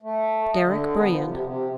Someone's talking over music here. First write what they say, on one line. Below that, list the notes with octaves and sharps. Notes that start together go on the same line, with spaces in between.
Deryck Brand.
A3
D#5
D3
B3
F3
C3
C3